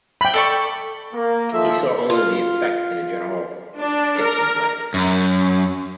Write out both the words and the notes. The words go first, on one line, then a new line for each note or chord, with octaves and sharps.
He saw only the effect in a general, sketchy way.
G5 B5
A4 D5 C#6
A#3
D#2 F3 A4 E5
F4
D4
A#4
F#2